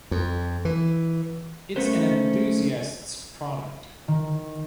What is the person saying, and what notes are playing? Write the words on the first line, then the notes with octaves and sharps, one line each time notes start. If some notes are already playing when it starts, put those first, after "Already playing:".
It's an enthusiast's product.
F2
E3
A3 A#3 C#4 B4 C5
D#3